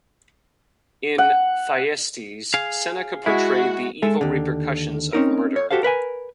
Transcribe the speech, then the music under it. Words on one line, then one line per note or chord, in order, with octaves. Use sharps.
In "Thyestes", Seneca portrayed the evil repercussions of murder.
F#5
G#4 F5
G#3 E4 F#4
G#3 A4 E5
D#2 D3
C4 C#4 D#4 A#4
C#5
F#4 G4 A4 C5 F5
A#4 B4 E5 G#5